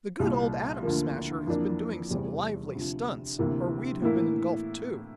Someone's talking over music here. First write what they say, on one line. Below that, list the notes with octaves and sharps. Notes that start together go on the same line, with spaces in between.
The good old Atom Smasher has been doing some lively stunts, or we'd have been engulfed too.
C2 A#2 G3
D2 D3 F3 A#3
F2 E3 A#3 D4
E2 C3 G3 C4
D2 C3 F3
D2 C3 E3 A#3
A2 E3 A#3 E4